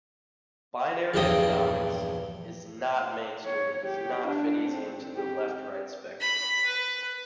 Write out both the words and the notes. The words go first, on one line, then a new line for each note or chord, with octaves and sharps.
Binary economics is not mainstream and does not fit easy into the left-right spectrum.
A#1 E2 G2 A4 G5 D#6
C#5
G4
D4
C4
G4
B5
B4